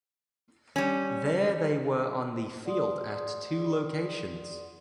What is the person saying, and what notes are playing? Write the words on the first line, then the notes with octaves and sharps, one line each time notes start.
There they were on the field at two locations.
G3 C#4
G#4 D5 F#5 C6 D#6